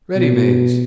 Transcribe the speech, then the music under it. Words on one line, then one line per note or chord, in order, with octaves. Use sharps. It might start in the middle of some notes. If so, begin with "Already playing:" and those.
Ready mades.
B2